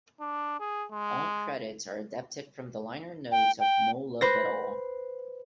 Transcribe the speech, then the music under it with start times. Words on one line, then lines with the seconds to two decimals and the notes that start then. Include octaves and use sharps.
All credits are adapted from the liner notes of "No Love at All".
0.20 D4
0.60 G#4
0.91 G#3
3.32 G5
3.60 G5
4.21 B4 C5 A#6